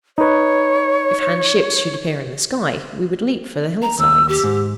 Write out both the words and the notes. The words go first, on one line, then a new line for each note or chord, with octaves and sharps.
If Han ships should appear in the sky, we would leap for the hillsides.
D#4 B4 C#5
A#5
D#2 E6
G4
G#2